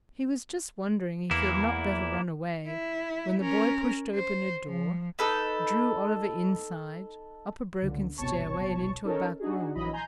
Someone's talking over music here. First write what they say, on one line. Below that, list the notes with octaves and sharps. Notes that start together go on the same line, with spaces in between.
He was just wondering if he had not better run away when the boy pushed open a door, drew Oliver inside, up a broken stairway and into a back room.
E2 E3 A#3 E4
E4
C#4 A#4
C5
F3
D#4 A4 B4
C#2 D3
G1 C2 B2 C#5 A5 C#6
C#4 D#4 A4 A#4 C#5
D4 D#4 F#4 G#4
A#1 E3 F#3 E4 D#5 B5
G#5 A#5 C6 G6